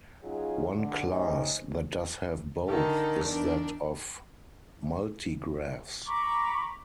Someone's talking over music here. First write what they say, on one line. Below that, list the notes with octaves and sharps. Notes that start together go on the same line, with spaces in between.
One class that does have both is that of multigraphs.
F#3 C#4 D#4 F4 G#4
B1 D3
A3 C#4 D#4 G4 C5 D#5
D3 D#3 A4
E2 D#3 D4
A#5 B5 C#6 D6